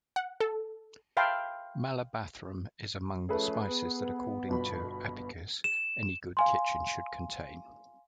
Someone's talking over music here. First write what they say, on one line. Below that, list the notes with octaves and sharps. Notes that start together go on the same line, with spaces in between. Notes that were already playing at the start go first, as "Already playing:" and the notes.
Malabathrum is among the spices that, according to Apicius, any good kitchen should contain.
F#5
A4
E5 F5 G5 A5 B5 C6
F3 A3 C#4 G#4 A4 B4
B3
G1 B2 B5
E7
F5 G#5 C6